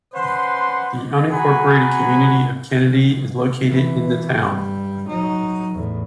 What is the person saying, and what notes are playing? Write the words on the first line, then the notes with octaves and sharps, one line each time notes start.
The unincorporated community of Kennedy is located in the town.
C#4 B4 C5 F#5 C6
F#4 G#4 F#5 G#5 A#5 B5
E3
G2 G3
F#3 D#4
E2 A2